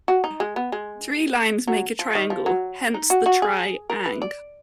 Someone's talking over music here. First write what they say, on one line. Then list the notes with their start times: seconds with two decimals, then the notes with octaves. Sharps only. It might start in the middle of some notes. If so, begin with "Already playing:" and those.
Three "Lines" make a triangle, hence the Tri-ang.
0.08 F#4
0.24 D#4
0.40 G#3
0.56 B3
0.72 G#3
1.67 F#3
1.99 F3
2.15 D#3
2.30 F3
2.46 F#3
2.94 D#4
3.10 F#4
3.26 F#4
3.42 G#4
3.90 A#4
4.06 B4
4.22 D5